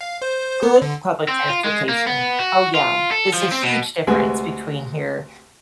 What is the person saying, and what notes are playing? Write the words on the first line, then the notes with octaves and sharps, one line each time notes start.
Good public transportation. Oh, yeah. It's a huge difference between here
F5
C5
B3
D3
C4
F4
G#3
A#3
B3
F#4
F4
A4
F3
C4
B2
D2 C3 G#3 G#4 B4